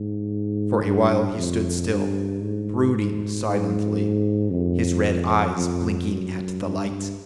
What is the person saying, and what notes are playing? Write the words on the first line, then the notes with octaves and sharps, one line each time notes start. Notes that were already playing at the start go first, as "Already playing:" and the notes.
For a while he stood still, brooding silently, his red eyes blinking at the light.
Already playing: G#2
G2
F2
G2
G#2
G#2
G#2
F2
F2
F#2
G2